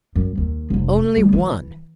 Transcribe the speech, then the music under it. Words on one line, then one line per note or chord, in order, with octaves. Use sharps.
Only one!
F#2
D#2
F1 C3
G3 A3
E3